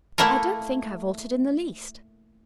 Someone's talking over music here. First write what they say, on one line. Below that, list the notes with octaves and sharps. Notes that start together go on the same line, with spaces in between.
But I don't think I've altered in the least.'
A3 A#3 E4 A4 A#4